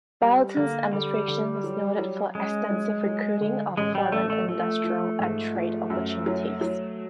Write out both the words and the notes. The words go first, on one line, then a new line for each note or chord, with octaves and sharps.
Blanton's administration was noted for extensive recruiting of foreign industrial and trade opportunities.
G3
D3 A#3
D3 G3
D3
F#3
F#3
G#3 C#4
F#3
F#3
D3
A1 G#3
G3
A1 A3
A3
F3 A3
F3
G#2
F3
F#2
F#3
F#3